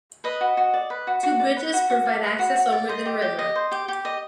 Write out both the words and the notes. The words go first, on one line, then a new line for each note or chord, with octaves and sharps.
Two bridges provide access over the river.
B4 D#5
F#4
F#4
D5
B4
F#4
F#4
D5
B4
F#4
F#4
D5
B4
F#4
F#4
D5
C5 D#5
G4
G4
D#5
C5
G4
G4
D#5